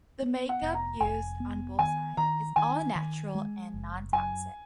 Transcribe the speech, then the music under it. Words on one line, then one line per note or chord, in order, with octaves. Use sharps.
The makeup used on Bullseye is all natural and non-toxic.
B3
F#5
F1
A#5
F1 G#5
B3
D#3 G#5
D#3 A#5
D#3 G#5
D#3
G#3
F#1
F#2 G#5